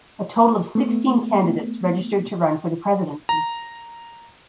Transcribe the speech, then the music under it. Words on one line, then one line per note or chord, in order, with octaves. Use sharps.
A total of sixteen candidates registered to run for the presidency.
A3 B3
A#5